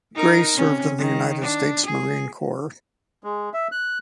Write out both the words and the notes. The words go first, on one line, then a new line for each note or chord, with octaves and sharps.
Gray served in the United States Marine Corps.
D#4 A#4
C3 C#4
D#3
D4
G#4
G#3
E5
F#6